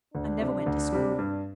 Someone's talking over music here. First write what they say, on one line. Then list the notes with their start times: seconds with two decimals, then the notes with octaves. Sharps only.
I never went to school.
0.14 D2 D4
0.40 C3 G3
0.66 D2
0.93 C3 G3
1.19 G2